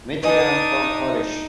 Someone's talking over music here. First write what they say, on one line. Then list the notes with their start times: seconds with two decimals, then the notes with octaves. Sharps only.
Michigan for college.
0.23 D4 D#4 B4 D#5 G#5 D#6